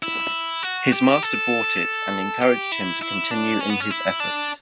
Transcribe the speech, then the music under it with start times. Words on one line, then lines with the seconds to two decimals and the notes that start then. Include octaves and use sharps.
His master bought it and encouraged him to continue in his efforts.
0.03 E4
0.63 F#4
0.93 G4
1.23 A4
2.42 G4
2.72 E4
3.02 E4
3.31 D4
3.60 C#4
3.70 B3
3.80 C#4
3.91 E4
4.20 D4